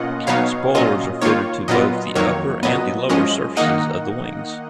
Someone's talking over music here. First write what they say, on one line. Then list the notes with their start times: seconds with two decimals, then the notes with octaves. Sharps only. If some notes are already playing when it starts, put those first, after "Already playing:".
Spoilers are fitted to both the upper and the lower surfaces of the wings.
Already playing: B2 A#3 C#4 F4 D#5 F#5
0.27 B2 F#3 B3 D#4 C#5 F5
0.75 A#2 F#3 C#4 F4 D#5
1.21 D#3 A#3 F4 C#5
1.68 A#2 F#3 B3 F4 D#5
2.15 F2 D#3 F#3 A#3 C#5
2.63 A#2 F#3 B3 D#5
3.09 F#2 F3 G#3 C#4 D#5
3.57 D#3 A#3 D#4 D#5 F#5